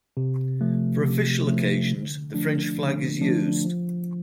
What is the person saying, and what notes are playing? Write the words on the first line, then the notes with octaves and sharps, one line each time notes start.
For official occasions, the French flag is used.
C3
F3 A3
C3
F3 A3
D3
F3 A3 D4
D3
F3 A3 D4
F3